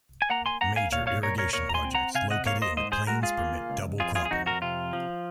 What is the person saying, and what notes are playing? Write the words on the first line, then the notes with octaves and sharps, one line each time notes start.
Major irrigation projects located in the plains permit double-cropping.
G#5
A#3 F#5 A#5
G#5 C6
A#3 F#5 A#5
F5 G#5
A#2 C#5 F5
C#5 F5
A#2 A#4 C#5
A#4 C#5
A#2 A#4 C#5
A#5
G#5 C6
C4
F#5 A#5
C3 F5 G#5
D#5 F#5
A#3 C#5 F5
C5 D#5
G#2 C5 D#5
G#4 C5
G#3 F#4 A#4
F4 G#4
A#3
C#2
F2 F4 G#4
F4 G#4
G#4
F2 D#4 F#4
F#4 A#4
C3 F4
F3